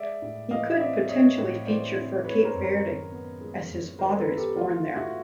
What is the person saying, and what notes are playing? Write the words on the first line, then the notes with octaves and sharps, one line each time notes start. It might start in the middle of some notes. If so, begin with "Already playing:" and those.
He could potentially feature for Cape Verde as his father is born there.
Already playing: G#3 D5 E5
A2
E3 D#5 F5
D#5
C4 D5 E5
G#3 C#5 D#5
A2
E3 C5 D5
C4
G#3 B4 C#5
A#4 C5
F#2
A#4 C5
D#3
B3
G#3
F#2
D#3 A#4 C5
A4 B4
B3
G4 A4
A3 F4
F4
G#2
E4 F#4